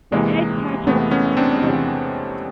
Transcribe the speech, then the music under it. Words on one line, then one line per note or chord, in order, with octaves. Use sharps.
The eggs hatch about a month later.
E2 C3 E3 G#3 A#3
E2 C3 E3 A3 B3
B3 C#4
C4 D4
E2 C3 E3